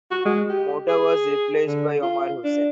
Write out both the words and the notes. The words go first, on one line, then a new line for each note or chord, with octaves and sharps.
Mota was replaced by Omar Hussein.
F#4
G#3
G4
G#4
D3
F4
D4